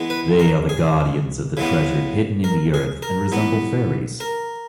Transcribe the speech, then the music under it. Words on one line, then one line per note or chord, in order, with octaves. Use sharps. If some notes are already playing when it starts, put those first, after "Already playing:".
They are the guardians of the treasure hidden in the earth and resemble fairies.
Already playing: E3 G#3 B3
B4
A#4
G#4
C#3 E3 G#3 B3
A#4
G#4
A#4
E3 B3
A#4